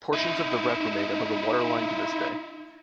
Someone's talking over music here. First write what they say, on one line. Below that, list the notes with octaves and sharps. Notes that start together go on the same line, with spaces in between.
Portions of the wreck remain above the waterline to this day.
D#4 E4